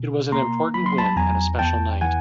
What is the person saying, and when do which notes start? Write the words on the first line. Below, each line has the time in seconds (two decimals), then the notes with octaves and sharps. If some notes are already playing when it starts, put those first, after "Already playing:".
It was an important win and a special night.
Already playing: B2
0.32 A#3 A#5 C6
0.74 F#3 B5
0.86 C6
0.98 A5 B5
1.16 E2 G#5 A#5
1.59 E2 G5 A5
2.01 E3 F#5 G#5